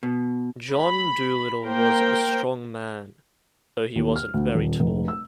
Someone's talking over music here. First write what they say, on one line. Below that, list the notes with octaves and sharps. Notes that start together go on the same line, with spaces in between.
John Dolittle was a strong man, though he wasn’t very tall.
B2
B5
A#3 A#4 C5 G5
D#2
F6
D2
D#1
F1
E6